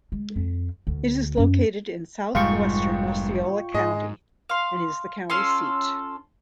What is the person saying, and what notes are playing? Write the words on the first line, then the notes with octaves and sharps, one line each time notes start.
It is located in southwestern Osceola County and is the county seat.
G#3
F2
D2
F#2
F1 G#2 G3 F4 G5 C#6
G#2 G#3 D#5
F5 C6
C#4 F4 A4 C6